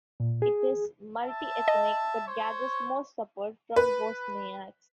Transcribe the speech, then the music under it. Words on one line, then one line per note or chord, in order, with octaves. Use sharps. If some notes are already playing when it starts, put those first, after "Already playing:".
It is multi-ethnic, but gathers most support from Bosniaks.
A#2
G#4
E5 A5
D#5
C5 C#5 C#6
B4